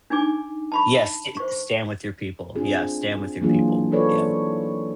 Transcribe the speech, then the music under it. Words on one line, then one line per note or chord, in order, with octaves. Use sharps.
Yes, st stand with your people. Yeah, stand with your people, yeah.
D4 D#4 G#5 D6
A5 B5 C#6
C5 C#6
C4 D4 F4 G#4
E3 F#3 A#3 D4 F4 G#4
D#4 F4 A4 B4 C#5 D5